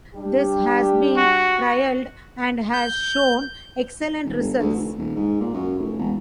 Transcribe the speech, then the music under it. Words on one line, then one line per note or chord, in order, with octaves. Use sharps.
This has been trialled and has shown excellent results.
G3 D4 G4
F#4
G6
D#1
G1
D2
F1
D#1
G#2
A#2
F#2
F1
E1